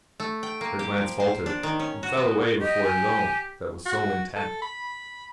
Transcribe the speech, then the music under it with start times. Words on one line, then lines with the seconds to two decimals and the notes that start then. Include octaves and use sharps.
Her glance faltered, and fell away before his own that was so intent.
0.20 A3
0.43 G5
0.61 A#3
0.79 G4
0.98 F3
1.20 C5
1.46 D4
1.63 D#3
1.79 C#4
2.03 F#4
2.17 B3
2.61 G4 D#5
2.84 G#5
3.86 F#4
4.36 A4
4.62 B5